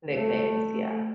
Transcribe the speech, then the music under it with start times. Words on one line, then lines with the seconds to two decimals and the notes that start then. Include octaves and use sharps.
Nicknames, yeah.
0.13 A3